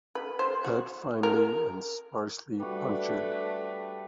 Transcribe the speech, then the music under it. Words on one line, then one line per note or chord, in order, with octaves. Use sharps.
Head finely and sparsely punctured.
B4
C5
F#4
A#4
G3 A3 D4 F#4 B4